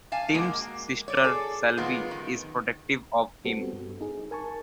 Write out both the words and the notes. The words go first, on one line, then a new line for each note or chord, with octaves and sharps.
Tim's sister, Sylvie, is protective of him.
F5 G#5 A5
G#3 A#3 F#4
C#5 D5
G#4 A4
D#3 F#3 G#3 B3 F4
D#3
G3 B3 C4 F#4 A4
G2
D#4 G#4
A#4 G#5 A5 C#6